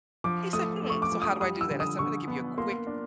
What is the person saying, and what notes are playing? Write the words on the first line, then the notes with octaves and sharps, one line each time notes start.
He said, "Hmm, so how do I do that?" I said, "I'm gonna give you a quick
F3 D6
A3 D#6
A3
C#6
D6
F3
D#6
G3 D#6
E6
D3
D#6
D3 C#6
B3
A#3 C6
D4